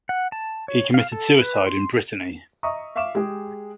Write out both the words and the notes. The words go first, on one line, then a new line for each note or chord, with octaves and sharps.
He committed suicide in Brittany.
F#5
A5
C#5
F5
A4
B4
C6
D#5 E5 A#5 C#6 D#6
E5 F5 C#6 D6 E7
G#3 G4 G#4